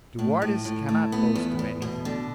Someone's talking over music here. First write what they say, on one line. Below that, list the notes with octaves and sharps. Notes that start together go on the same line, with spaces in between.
"De Wardes cannot boast of anything."
A2
A2
A2
A3
B3
E2
E2
B2
D3